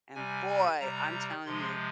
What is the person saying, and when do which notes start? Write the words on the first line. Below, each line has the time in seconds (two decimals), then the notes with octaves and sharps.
And boy, I'm telling you,
0.15 C3 G3 G#5
0.80 C3 G3 A#5
1.46 C3 F3 G#3 C6